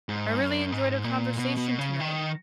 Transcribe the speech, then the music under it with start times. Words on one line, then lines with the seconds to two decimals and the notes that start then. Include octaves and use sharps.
I really enjoyed our conversation tonight.
0.09 G#2
0.41 F#2
0.72 G#2
1.04 A#2
1.36 B2
1.57 B2
1.79 C#3
2.00 D#3